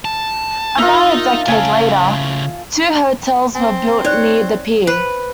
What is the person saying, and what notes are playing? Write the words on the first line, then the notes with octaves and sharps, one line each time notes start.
About a decade later, two hotels were built near the pier.
A5
D#4 F4 A#4 E5
A2 C#3 G#5 A5
C4 G#5
D#4 C#5 D5 F#6
B4 C5